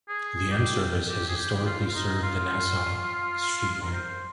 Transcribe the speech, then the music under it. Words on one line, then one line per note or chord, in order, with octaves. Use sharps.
The M service has historically served the Nassau Street Line.
G#4
G4
G4
G#4
G4
G4
F4
F4
D#4
F4
A#4
C5